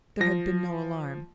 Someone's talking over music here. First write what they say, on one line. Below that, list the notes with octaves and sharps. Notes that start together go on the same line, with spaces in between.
There had been no alarm.
F3 A#6